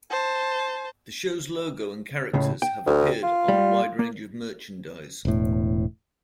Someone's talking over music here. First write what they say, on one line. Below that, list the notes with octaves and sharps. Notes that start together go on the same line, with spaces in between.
The show's logo and characters have appeared on a wide range of merchandise.
C5 A5
C#2 A2 C#3
G5
D2
F4
G3
A#3
E1 A2